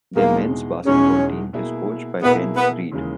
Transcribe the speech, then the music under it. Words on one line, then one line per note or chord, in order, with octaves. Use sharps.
Their men's basketball team is coached by Ben Reed.
E2 B2 G#3 A#3 D#4 G#4
E2 B2 G#3 C#4 D#4 G#4
B2 A#3 E4 G#4
B2 A#3 B3 E4 G#4
B3
D#2 C#3 E3 G#3